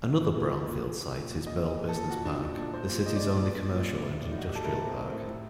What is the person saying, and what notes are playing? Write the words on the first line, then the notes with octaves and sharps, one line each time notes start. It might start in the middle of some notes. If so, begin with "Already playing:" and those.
Another brownfield site is Burle Business Park, the City's only commercial and industrial park.
A#2
A#2
A#2
A#2
A#2
A#2
A#2
A#2
A#2 D#5
A#2
D#5
A#2
A4
A#2
A#2 F#4
A#2 D4
D#4
A#2 D4
A#2 D4
A#2 C5
A#2
C5
A#2 D#5
D5
A#2
A#2 D5
A#2
A#2
A#2
A2
A2
A2 D#4
F#4
A2 G4
A4
A2 A#4
A2
C4
A2
C4
A2
A2